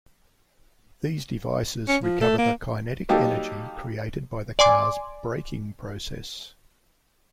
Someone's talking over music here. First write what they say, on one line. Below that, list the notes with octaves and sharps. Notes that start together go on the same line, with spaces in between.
These devices recover the kinetic energy created by the car's braking process.
C#4
F3
A3
A#3
F#3 G3 A#3 D#4 G4 A4
D5 G#5 C6 D6